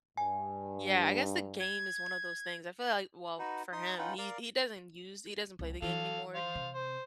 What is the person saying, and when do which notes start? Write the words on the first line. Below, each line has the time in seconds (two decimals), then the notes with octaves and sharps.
Yeah, I guess the game is one of those things, I feel, like, well, for him, he he doesn't use he doesn't play the game anymore.
0.17 G2 G#5
1.60 G#6
3.39 D#4 F#4 B4
3.72 D#4 C6 D#6
3.98 C#4 D#4 F4 B4 F#5 G5
4.18 A#4 D5 F5
5.59 C2
5.82 E3 A4 F5
6.35 C5 F5
6.55 C3
6.74 C5